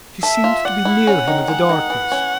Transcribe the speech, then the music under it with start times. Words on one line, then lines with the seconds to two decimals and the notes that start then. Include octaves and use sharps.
She seemed to be near him in the darkness.
0.23 A4 E5
0.44 F4
0.65 D5 F#5
0.85 E4
1.07 C#4
1.28 D#3
1.48 G#3 F#5
1.69 D#3
1.90 E3
2.12 C#4